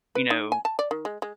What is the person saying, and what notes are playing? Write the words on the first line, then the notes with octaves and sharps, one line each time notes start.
you know
B4
D#4
G#5
A5
D5
D#3
G#3
G#3